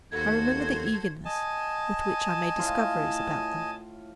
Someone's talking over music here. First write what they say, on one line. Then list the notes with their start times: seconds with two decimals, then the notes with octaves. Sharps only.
I remember the eagerness with which I made discoveries about them.
0.12 D#2 F#4 A4 C5 G#6
1.25 D#5 G#5 A5
2.57 A2 F4